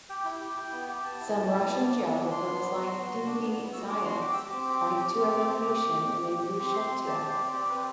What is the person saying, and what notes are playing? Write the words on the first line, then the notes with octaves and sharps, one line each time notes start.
Some Russian geographers, like D. V. Zayats, point to a location in Ingushetia.
G4 G5
E4 G5
G4
E4
B3
G4
B3 A5
E4
B3
E4
B3
D4
B3
D4
D4 C6
B3
B3
F#4
B3
F#4
D4
B3
B3
F#4 E6
D4 D6
F#4 C6
G4 D6
G4 E6
D6
C4
G4
G4
G4
C4
C4
G4
G4
G4
G4
G4
G4
G4
C4
C4 C6
C4
G4 A5
G4
C5
C4 D5
G4 D5
C4 B4